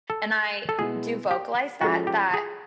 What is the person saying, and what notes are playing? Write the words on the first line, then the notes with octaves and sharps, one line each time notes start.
and I do vocalize that, that,
A4
A4
B2 G#3 B3 E4 G#4
G4
F3 G#3 C#4 F4 F#4 A4
G4
G#4